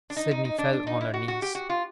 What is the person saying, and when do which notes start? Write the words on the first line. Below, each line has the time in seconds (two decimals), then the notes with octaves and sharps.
Sydney fell on her knees.
0.10 D4
0.16 D#4
0.31 D#4
0.45 D#4
0.58 D4
0.73 D4
0.87 D#4
1.01 E4
1.14 F#4
1.28 F#4
1.42 G4
1.55 F#4
1.69 F4